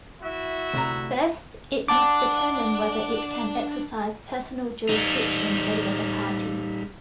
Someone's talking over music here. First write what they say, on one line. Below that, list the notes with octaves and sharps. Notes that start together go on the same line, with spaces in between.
First, it must determine whether it can exercise personal jurisdiction over the party.
E4 F#4 E5
D2 C3 A#5
D4 F#5 A5 D6
G3 D#4